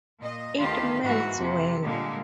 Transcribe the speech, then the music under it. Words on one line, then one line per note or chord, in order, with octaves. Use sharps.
It melts well.
A#2 D#5
D2 D#3 F4 G4 B4
G#2 E3 A#3 F#4
F2 C3
A#2 D3 G3 G#3 A#3